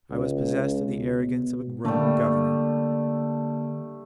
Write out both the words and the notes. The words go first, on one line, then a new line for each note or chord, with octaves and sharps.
I was possessed of the arrogance of a Roman governor.
C#2
B2
D3 G3 A3 A#3